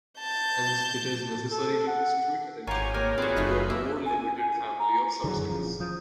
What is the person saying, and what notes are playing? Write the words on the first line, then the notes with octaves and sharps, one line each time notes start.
Hence, it is necessary to restrict attention to a more limited family of subsets.
A5 G6
A4
F#5
G#1 F4 G4 C#5 G#5 A#5
A#3 G4 A#4 C#5 G#5
C4 F4 F#4 G#4 B4 D5
F#1 F#3 A3 D#4
A#3 E5
G#5
G#5
A#5
D3 F#3 E4 G#4
F#2 D3
D#1 F3 C#4
F3 D#6 G6